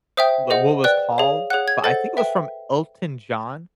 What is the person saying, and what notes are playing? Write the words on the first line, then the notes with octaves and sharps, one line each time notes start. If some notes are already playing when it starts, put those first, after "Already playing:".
the what was called, but I think it was from Elton John
C5 E5 G5 D#6
G#4 C5 D#5 F#5
B4 D5 G5 F#6
G#4 C#5 F5
G#4 C#5 F#5 F#6
G#6
A4 C5 D#5 F#5 A6
B4 E5 G5